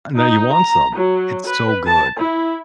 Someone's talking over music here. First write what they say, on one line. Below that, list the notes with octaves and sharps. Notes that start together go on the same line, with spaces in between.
And now you want some, it's so good,
D#4
A#5
F#3
B4
A5
E4